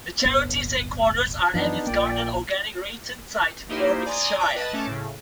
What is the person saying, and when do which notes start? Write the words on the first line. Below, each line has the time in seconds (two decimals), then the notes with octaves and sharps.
The charity's headquarters are at its Garden Organic Ryton site in Warwickshire.
0.25 D1 G1 B3
1.54 F#2 E3 F3 B3 D4 D#4
1.87 A#1 A#2 A#3 D5 G5
3.69 A#3 D#4 E4 G4 C5
4.06 D5 G#5 A#5 C6 D#6
4.39 D5 G5 D6
4.56 B4 D#5 A5 A6
4.73 A3 C#4 A5 D6
4.87 A2 C#3